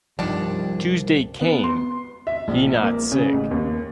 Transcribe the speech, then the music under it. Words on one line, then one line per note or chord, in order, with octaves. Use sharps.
Tuesday came, he not sick.
C2 G2 D#3 F3 G3 D4
B3
C6
E5
A#1
A#3
C#3
A1
D#2